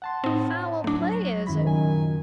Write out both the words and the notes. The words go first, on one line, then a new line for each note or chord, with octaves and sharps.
Foul play, is it?
F#5 A5 C6
A2 C4 D#4
D2 F#3 A3 D4
F#2 D#3 E4 B5
F#2 A#2 C#3 G#5